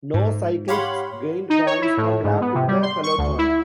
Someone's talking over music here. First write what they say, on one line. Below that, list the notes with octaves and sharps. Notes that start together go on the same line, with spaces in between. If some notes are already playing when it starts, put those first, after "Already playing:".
No cyclists gained points from lapping the peloton.
G#2
G4 C#5 F5 F#5 B5 C6
D#4
C#5
E4
A2
G#2
B3
C3
G3
C6
C#6
D2
E4